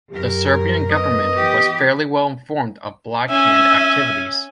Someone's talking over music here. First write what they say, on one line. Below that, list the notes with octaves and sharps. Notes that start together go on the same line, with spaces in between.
The Serbian government was fairly well informed of Black Hand activities.
F#2 G4 A#4
B3 D#5
E3 G4
C#4 E5 G#5